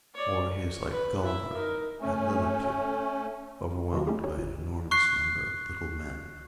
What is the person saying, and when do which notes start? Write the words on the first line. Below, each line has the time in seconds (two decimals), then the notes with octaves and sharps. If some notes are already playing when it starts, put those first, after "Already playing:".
Or he is like Gulliver at Lilliput, overwhelmed by an enormous number of little men.
0.14 C#5 D5
0.46 C#6
0.92 B4
1.24 E4 E5
1.53 D#4 A#4
2.00 A3 C#4
3.93 C3 D#3 F#3 G#3 B3 F#4
4.07 A3 C#4 E4 G4 G#4
4.24 C#4 D#4 G4 A4 C#5
4.37 G1 A#2 D#7
4.91 C#6 F#6 C7